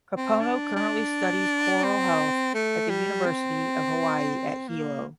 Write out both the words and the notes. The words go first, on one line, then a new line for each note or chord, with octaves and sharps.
Kapono currently studies coral health at the University of Hawaii at Hilo.
C4
D4
D4
C4
A3
G3
C4
A#3